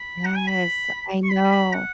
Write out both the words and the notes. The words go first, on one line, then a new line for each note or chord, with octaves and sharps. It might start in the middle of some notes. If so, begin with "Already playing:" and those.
Yes, I know.
Already playing: B5
F#5
G#5
B5
C#6
B5
B5
F#5